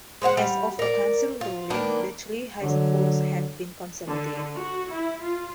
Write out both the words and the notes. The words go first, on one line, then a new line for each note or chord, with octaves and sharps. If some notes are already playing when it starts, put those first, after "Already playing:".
As of a council ruling, the three high schools have been consolidated.
G#3 C5 F5 F#5
G3
A#4 D5
F4
D#3 A#3 B3 D4
D3 F#3
D3
F#4
E4
F4